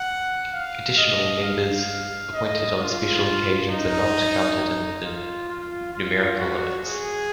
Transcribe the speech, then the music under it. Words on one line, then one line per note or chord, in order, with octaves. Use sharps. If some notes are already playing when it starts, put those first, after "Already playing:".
"Additional" members, appointed on special occasions, are not counted in the numerical limits.
Already playing: F#5
F5
D#5
F5
D#5
F4
D#4
F4
F4
F4
F#4
G#4